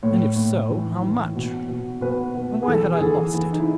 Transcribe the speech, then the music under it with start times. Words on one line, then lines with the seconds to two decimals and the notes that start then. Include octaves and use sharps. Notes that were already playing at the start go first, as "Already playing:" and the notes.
And if so, how much? And why had I lost it?
0.03 A2 C#5
0.36 A2
0.70 E3
1.03 E3
1.36 B2
1.68 B2
2.01 B2 B4
2.35 B2
2.63 G#4
2.68 E3 A4
2.93 G#4
3.00 E3 A4
3.34 E3
3.53 D#4
3.60 E4